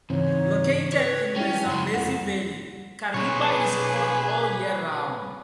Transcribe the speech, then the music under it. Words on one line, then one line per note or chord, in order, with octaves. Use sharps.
Located in the Zambezi Valley, Kariba is hot all year round.
G#2 C#3 E3 C4 C#5
B4 C#5
G#3 C#4 E4 G5
F#2 C#3 C6
B1 F2 F#5
B2 C#4 G#4 B4 C#5